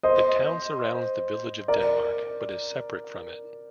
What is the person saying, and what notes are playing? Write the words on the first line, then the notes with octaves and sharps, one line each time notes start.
The town surrounds the village of Denmark but is separate from it.
C5 D#5
A#4 D5